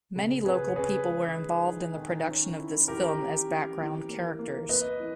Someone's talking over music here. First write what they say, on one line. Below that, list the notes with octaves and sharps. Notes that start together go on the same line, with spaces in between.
Many local people were involved in the production of this film as background characters.
C#3
C#3 G#4 B4
C#5
C#3 G#4 B4
G#3
D#4
D#4
D#3
C#4
E4
E3 G4 A#4
C#4
E3
E3
A#3
A#3
A#3 B4 D#5
E3